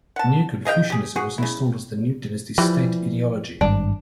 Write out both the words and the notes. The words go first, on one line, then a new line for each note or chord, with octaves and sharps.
Neo-Confucianism was installed as the new dynasty's state ideology.
F#5 A5
G#4 D#5 F5 G5
G4 G#4
F#4 G#4
C#3 E4
E3 F3 G3
G#1 G2 D4